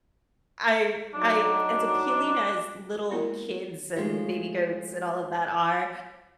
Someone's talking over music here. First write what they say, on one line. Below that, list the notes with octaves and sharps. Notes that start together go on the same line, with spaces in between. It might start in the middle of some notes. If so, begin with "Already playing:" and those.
I c I as appealing as little kids and baby goats and all of that are,
F#3 D4 D#4
G#3 A#3 B3 E4 A#4
F3 G#3 A3 F4 G4 C#5